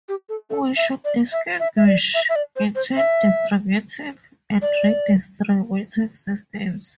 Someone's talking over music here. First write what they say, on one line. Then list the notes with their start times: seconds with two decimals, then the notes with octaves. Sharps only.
We should distinguish between distributive and redistributive systems.
0.09 G4
0.29 A4
0.50 A4
0.77 E5
1.05 D5
1.32 E5
1.60 E5
1.77 E5
1.87 D5
2.14 E5
2.29 E5
2.35 D5
2.56 C5
2.75 C5
2.97 E5
4.62 D5